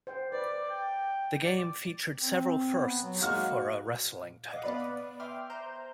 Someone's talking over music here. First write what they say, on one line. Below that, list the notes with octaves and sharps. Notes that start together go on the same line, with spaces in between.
The game featured several firsts for a wrestling title.
C5 G5
B4 D5
G5
D5
C4
B3
F#3
G#3 A#3 F#4 F6
D#5 F5 F#5 D6
B3 B4 D5 B5
E5 G5 C6 D6 F6
C5 A#5 C6 G6